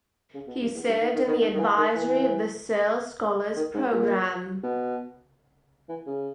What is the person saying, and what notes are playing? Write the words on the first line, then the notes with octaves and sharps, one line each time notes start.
He served in the advisory of the Searle Scholars Program.
C#3
B2
G2
E2
G2
D#3
D#3
D#3
D#3
D#3
E3
D#3
E3
D#3
G#2
A#2
B2
E3
C#3